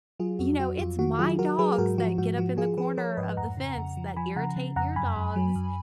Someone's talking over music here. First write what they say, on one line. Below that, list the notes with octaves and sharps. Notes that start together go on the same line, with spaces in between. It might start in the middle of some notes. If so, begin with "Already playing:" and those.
you know, it's my dogs that get up in the corner of the fence that irritate your dogs,"
F#3 F4 G#4
F2 F#4
F#3 F#4
F2 F4
D#3 F#4
F#3 F4 G#4
F#3 F#4 A#4
F#3 G#4 B4
G#4
G#2 F#4 A#4
F3 F#4
G#2 F#4
F3 F#4
F3 F4 G#4
F3 G#4 B4
F3 A#4 C#5
G#2 B4 D#5
F2 F#5 A#5
C#3
F2
F3
F3 G#5 B5
C#3 F#5 A#5
C#3
F2 F#5 A#5
F#2 G#5 B5
F#2
F#3
F#2